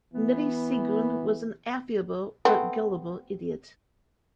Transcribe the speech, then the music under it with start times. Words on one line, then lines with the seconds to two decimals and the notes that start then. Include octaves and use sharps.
Neddie Seagoon was an affable but gullible idiot.
0.14 E3 B3
2.45 A3 B3 C4